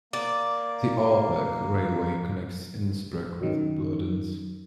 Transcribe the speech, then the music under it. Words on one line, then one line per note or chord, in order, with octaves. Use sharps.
The Arlberg railway connects Innsbruck with Bludenz.
A#3 D5
F#2 D#3